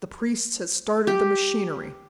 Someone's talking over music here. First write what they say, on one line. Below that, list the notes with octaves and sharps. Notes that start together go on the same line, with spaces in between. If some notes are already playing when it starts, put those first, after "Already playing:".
The priests had started the machinery.
G4